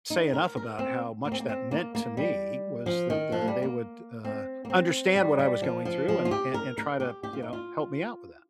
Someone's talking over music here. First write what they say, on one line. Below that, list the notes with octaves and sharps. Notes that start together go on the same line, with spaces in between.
say enough about how much that meant to me was that, uh, they would, uh, understand what I was going through and a and try to, you know, help me out with that.
D#4
A#4
A#4
C4
A#3
C4
A#3
C4
A#3
A#3
G3
F3
D#3
F3
A#3
G3
A#3
C4
A#3
C4
G3
G3
F3
F3
F3
F4
G4
A#4
A#4
G4
G4
F4
D#4
F4